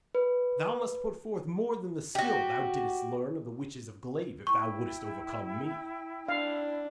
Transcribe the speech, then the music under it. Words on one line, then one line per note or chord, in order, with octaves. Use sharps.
'Thou must put forth more than the skill thou didst learn of the witches of Glaive if thou wouldst overcome me.
B4
F#4 G4
E4 G5 C#6
D4 F5